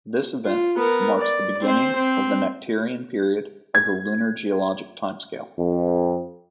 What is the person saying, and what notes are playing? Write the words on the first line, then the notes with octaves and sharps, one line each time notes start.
This event marks the beginning of Nectarian period of the lunar geologic timescale.
F4
B3 A#4
D5
C4 C5
C4
G#6
F2